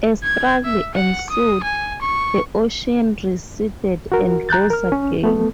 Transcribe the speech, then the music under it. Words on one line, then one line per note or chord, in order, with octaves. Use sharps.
A struggle ensued; the ocean receded and rose again.
G#6
E5
F#5
D#6
G#5
C#6
F#4 A#4
A#5 F#6 G6 A6
A#4 F6
C#4
A3 B3 A4